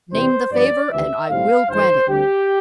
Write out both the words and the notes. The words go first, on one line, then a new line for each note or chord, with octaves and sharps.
"Name the favor and I will grant it."
E2 C3 E3 G3 C4 C5
G2 F3 B3 D5
D2 C3 E3 E5
B1 A2 G3 C4 F5
G1 G2 E3 A3 C5
D2 D3 G3 C4 G4